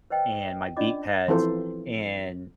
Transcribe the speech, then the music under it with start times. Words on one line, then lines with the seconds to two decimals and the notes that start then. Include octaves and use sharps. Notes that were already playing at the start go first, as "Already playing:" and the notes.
and my beat pads, and
0.10 B4 C5 D#5 G5
0.77 C#4 D4 F4 D5 D#5 D6
1.28 E3 F3 C4 E4 A4 C5